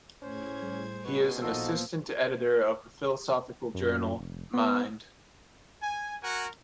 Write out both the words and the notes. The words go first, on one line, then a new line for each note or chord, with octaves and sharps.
He is an assistant editor of the philosophical journal "Mind".
A2 C#4 G#4 C5 G#6
G3
B2 B4 G#5 C6 C#6 D#6
G#1 A#2 F3 B3 D#4 F#4 A4 E6
F#2
F1
B3
G#5
F#4 A#4 F#5 G#5